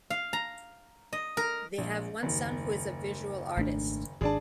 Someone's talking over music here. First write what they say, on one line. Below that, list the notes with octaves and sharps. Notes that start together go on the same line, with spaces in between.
They have one son who is a visual artist.
F5
A#5
D#5
A#4
A#1
F#1 D#2
G#1 A3 D4
G#1 D4 G#4 D5 A5